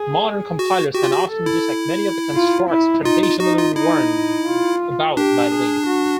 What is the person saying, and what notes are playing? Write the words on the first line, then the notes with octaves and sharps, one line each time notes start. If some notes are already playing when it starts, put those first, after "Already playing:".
Modern compilers can often detect many of the constructs traditionally warned about by lint.
Already playing: G#4
F#4
F#4 G4
F4
F#4
A4
E4
F4
E4
D#4 F4
F4
D#4 F#4
F4
D#4 E4
F4
D4 G4
G#4
F#4